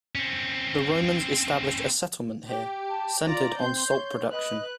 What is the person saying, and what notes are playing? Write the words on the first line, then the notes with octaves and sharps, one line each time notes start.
The Romans established a settlement here, centred on salt production.
C4 C#4
G4
A5
F4 D5 A#5
C4 C6 G6
C#5
B4 D#5 F#6